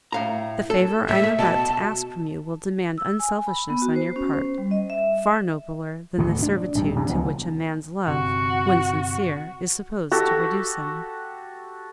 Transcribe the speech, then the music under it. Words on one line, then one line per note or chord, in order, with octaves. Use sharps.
The favor I am about to ask from you will demand unselfishness on your part, far nobler than the servitude to which a man's love, when sincere, is supposed to reduce him.
A2 F5 A#5
A4
A2 E5
A3
B2 A5
E6
G#5
B5
B3
F#4
C5
C#4
C5
G3
D#5
E5
G#1 D2 B2 D3
D4
A1 G2 C3
B1 E2 C3 D4
D1 C#2 F3 B3
G1 C3 F#4
F#4 G4 A4